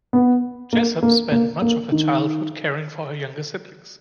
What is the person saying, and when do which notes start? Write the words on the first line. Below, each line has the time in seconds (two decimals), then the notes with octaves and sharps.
Jessop spent much of her childhood caring for her younger siblings.
0.13 B3
0.73 A#3
1.03 A#3
1.31 A#3
1.62 A#3
1.92 D#3